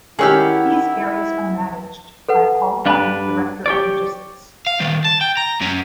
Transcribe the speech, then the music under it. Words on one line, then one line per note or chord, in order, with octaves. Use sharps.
These areas are managed by a qualified Director of Logistics.
D#3 C#4 E4 G4 G#4 F#5 E6 F6
A4 B4 F#5
G2 D4 B4 F5 B5
G4 C#5 D5
F5
D#3 G3
A5
G5
A#5
F#2 C#4